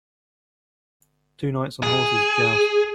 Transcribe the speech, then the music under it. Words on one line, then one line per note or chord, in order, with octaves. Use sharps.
Two knights on horses joust.
G#4